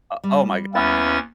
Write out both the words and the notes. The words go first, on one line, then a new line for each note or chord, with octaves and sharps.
O oh my God.
G3
D#2 B3 C#4 E4 B4 A6